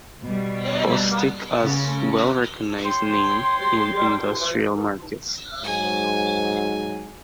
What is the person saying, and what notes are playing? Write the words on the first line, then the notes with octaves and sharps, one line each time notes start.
Bostik has well recognized name in industrial markets.
B2 G3
C#3
C#5 G5 C6
G#2 F#3 G#5